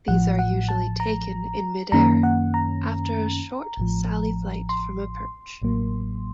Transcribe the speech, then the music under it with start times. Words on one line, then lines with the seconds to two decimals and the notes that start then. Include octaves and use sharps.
These are usually taken in mid-air, after a short sally flight from a perch.
0.08 A1 A2 F3 F#5
0.39 F#5
0.69 A5
1.00 A#5
1.92 F#2 D#3 A#3 C#4 A#5
2.23 F#5
2.54 A#5
3.77 A1 A2 F3
4.69 C6
5.62 A1 A2 F#3 A#3